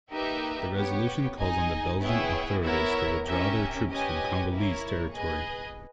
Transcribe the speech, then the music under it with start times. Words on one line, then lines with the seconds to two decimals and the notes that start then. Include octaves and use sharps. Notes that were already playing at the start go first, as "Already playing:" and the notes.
The resolution calls on the Belgian authorities to withdraw their troops from Congolese territory.
0.11 A#3 D#4 G4 B4 E5
0.75 B3 G4 C#5 G5
1.38 D#4 G#4 D#5 G#5
2.01 B3 E4 G#4 C#5 G5
2.64 B3 E4 A#4 C#5 E5
3.26 C#4 G4 A#4 E5
3.89 C#4 G4 B4 D#5 G#5
4.52 A#3 E4 A#4 C#5
5.14 G#4 B4 D#5 G#5